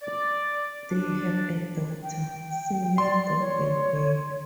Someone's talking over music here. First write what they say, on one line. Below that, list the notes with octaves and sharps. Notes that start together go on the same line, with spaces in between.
They have a daughter, Celia Dovell Bell.
D5
D4
G5
D5 C6
C#5